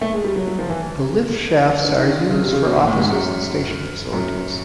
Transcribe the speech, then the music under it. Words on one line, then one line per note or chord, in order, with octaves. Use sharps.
The lift shafts are used for offices and station facilities.
A3
G#3
G3
F#3
F#3
F3
E3
D3
D#3
D#3
D3
C#3
C3
C#3
B2
A#2
A2
G#2
F#2
F#2